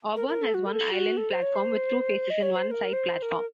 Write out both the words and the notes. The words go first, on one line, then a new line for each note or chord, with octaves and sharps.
Auburn has one island platform with two faces and one side platform.
A#4
A#4
A4
F#4
A#4
A4
F#4
A4
C5
C#5
C5
D#5
C#5
C5
C5
A#4
C5
C5
A#4